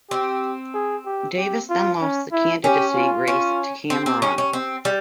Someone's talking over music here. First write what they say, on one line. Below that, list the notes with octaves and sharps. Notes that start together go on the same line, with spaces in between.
Davis then lost the candidacy race to Cameron.
C4 G4
G#4
G4
G4
F4
C#4
E4
C#4 G4
F4
C#4
C4 G4
C4
C#4
C#4
C4
G3